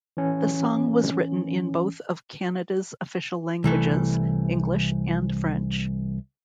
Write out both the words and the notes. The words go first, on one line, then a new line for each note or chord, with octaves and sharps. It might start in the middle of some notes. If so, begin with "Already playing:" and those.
The song was written in both of Canada's official languages, English and French.
E3 C#4
C2 E3 A3